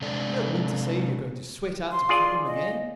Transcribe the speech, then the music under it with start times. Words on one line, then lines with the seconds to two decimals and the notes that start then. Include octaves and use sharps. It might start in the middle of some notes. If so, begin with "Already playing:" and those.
You don't mean to say you're going to sweat out to Clapham again?'
0.01 C3 G#3 D4 A4 D5 G#5
1.91 C6
2.09 F4 G#4 D5
2.46 D#5